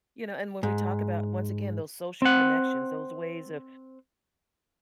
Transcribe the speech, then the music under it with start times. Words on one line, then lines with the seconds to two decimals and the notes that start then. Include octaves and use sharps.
You know, and when we talk about, once again, those social connections, those ways of
0.63 G#2
2.22 C4 F#5